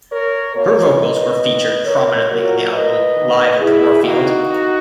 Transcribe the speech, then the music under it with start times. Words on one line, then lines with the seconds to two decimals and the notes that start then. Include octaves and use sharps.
Her vocals were featured prominently on the album "Live at the Warfield".
0.12 A#4 C#5
0.55 B2 A#3 A#4 C#5
0.98 B4 D#5
1.42 D#3 A#3
1.85 A#4 C#5
2.29 A#2 F#3 A#3 F#4 A#4
2.72 B4 D#5
3.16 D#3 A#3
3.60 E4 G#4
4.02 D#3 A#3 D#4 F#4